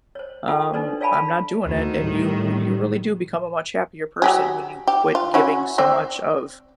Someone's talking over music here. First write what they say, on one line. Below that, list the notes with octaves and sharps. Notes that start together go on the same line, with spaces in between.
um, I'm not doing it." And you r you really do become a much happier person when you quit giving so much of
C5 C#5
F4 A4 F#5 G5
D4 D#4 A4 B4 C5 D5
C#5 D5 F5 G#5 A5 B5
D2 D#3
A2 G3
F#3 G4 G#4
G4
F4
C#4 E4 F#4
C4 C5 D5